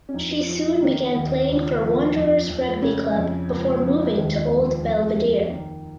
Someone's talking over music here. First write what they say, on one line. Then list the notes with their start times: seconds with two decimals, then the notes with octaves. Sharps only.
She soon began playing for Wanderers Rugby Club before moving to Old Belvedere.
0.09 C#4
0.14 F2 D#4
0.32 F4
0.48 F3 F4
0.65 F4
0.81 D#3 A#3
1.15 D#2
1.49 C#2
1.82 F3
2.16 F2
2.50 F2
2.82 C#3 C#4
3.16 F2
3.49 C#2
3.83 F3
4.16 D#2 G#3
4.49 F3
4.83 F2
5.17 F2
5.50 D#3 A#3